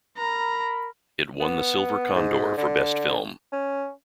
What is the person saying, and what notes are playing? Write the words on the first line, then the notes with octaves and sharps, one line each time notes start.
It won the Silver Condor for Best Film.
A#4 A#5 B5
B3
G#2
D3
C#4